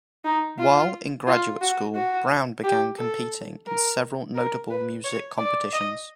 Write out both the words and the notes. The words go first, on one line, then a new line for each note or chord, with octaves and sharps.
While in graduate school, Brown began competing in several notable music competitions.
D#4
F4
F4
F#4
F#4
G4
A4
A#4
A#4
B4
C#5
D5
D#5